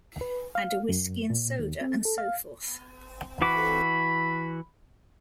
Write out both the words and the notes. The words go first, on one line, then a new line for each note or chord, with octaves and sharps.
And a whisky and soda, and so forth.
B4
F5
F#2
A#2
D#2
C4
A4
F5
E3 F#4 B5 D6